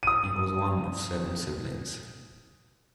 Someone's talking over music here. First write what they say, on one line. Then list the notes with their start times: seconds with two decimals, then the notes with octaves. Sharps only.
He was one of seven siblings.
0.03 D#6 D#7